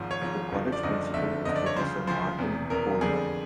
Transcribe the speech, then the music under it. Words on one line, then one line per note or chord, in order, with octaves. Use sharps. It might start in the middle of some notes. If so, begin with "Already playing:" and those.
The College Principal is Prof. Martin Pohlmann.
Already playing: G#1 G#2 F3
C#5
G#1 G#2 F3
F#1 F#2 D3 F3
D5
F#1 F#2 D3 F3 D#5
F#1 F2 D3 E5
F#1 F2 D3 D#5
D5
C#5
D2 C#3 F3 C5
D2 C#3 F3 C5
E1 E2 C3
E1 E2 C3 A#4
F2 D3 G3 G#4